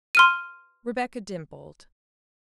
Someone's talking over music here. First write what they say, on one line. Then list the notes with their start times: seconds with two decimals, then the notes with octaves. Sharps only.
Rebecca dimpled.
0.15 C6 F6 D#7